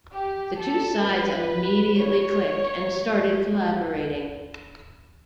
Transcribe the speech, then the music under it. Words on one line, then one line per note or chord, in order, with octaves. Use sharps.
The two sides immediately clicked and started collaborating.
G4
A4
B4
C#5